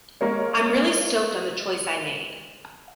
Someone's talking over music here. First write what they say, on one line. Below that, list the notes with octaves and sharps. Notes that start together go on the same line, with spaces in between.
I'm really stoked on the choice I made.
G#3 A#3 A#4 C#5